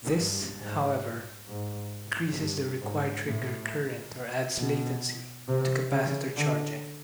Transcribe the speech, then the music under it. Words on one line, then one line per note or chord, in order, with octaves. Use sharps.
This, however, increases the required trigger current or adds latency due to capacitor charging.
G2
G#2
G#2
G2
G#2
A2
B2
C3
C#3
D3